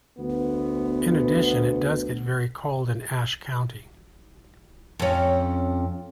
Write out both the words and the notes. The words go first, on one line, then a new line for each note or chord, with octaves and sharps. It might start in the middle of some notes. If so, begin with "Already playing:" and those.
In addition it does get very cold in Ashe County.
D2 B3
F2 C#4